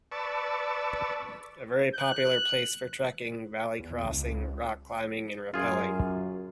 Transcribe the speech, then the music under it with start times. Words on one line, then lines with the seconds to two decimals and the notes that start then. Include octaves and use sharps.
A very popular place for trekking, valley crossing, rock climbing and rappelling.
0.12 B4 D5 A5 C#6 E6
1.95 F#6
3.80 E2
4.03 C#2
5.54 F#2 F4 G#4